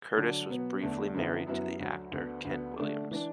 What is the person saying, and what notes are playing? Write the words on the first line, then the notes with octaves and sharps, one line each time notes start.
Curtis was briefly married to the actor Kent Williams.
D3 F#3 D4
B2 F#3 B3
E2 D3 A3 D4
F#2 D3 B3 E4
F#2 F#3 B3 E4
D2 D3 F#3
D2 D3 B3
D2 D3 B3
D3 A3 D4
E3 D4